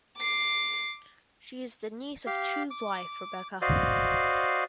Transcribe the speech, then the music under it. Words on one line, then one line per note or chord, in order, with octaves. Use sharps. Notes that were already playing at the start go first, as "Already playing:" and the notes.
She is the niece of Choo's wife, Rebecca.
D6 C7
G4 F5
D6
F#4 C5 D5 D#5 F5